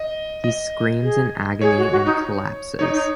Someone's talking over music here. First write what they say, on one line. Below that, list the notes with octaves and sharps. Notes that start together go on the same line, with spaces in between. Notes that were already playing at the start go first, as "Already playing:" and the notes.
He screams in agony and collapses.
Already playing: D#5
D#5
G#4
G#4 C#5
F#4
F#4
D#4
D#4 C#5
D#4